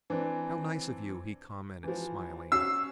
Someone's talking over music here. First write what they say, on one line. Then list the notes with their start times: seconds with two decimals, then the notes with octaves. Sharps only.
"How nice of you!" he commented, smiling.
0.10 E3 C4 D4
1.83 E3 F3
2.52 C#4 F#4 E6 C7